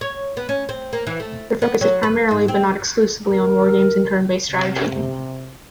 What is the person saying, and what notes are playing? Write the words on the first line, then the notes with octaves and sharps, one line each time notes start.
Their focus is primarily but not exclusively on war games and turn-based strategy.
C#5
B3
C#4
C4
A#3
E3
A3
B3
F#3
B4
G#2
C4
A#4
C3